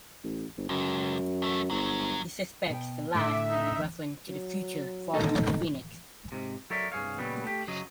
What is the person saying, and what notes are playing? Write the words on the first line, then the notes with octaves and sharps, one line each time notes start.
He suspects the last is a reference to the "Future" volume of "Phoenix".
A1
G1
C#2 F#2
E2 A3
G1 F#2 F#3
B2 G5
A2 D3 E5 D6
D#4
F#3
D#4 A4
G#2 C3
F#3 A4 A#4 C#5 D5 E5
C2 G2 G#4 C#5 F5
A#2 C#3 F#3 G3 B3
A3 G4
F#2 C#3 F#3 D#5